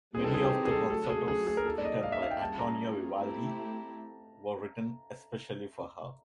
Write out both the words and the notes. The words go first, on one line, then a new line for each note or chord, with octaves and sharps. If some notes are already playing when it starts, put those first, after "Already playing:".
Many of the concertos written by Antonio Vivaldi were written especially for her.
E3 G3 C4 D#4 G#4
A4
G#4
G4
G#4
A4
D3 F#3 A3 C#4 A4
G#4
G#4
G#4
A#4
F#3 A#3 D#4 G#4 A4
D5
D#5
F5
E5
F5
G5
G3 A#3 C#4 F4 G#4 A5
A#5
A3 C4 E4 G4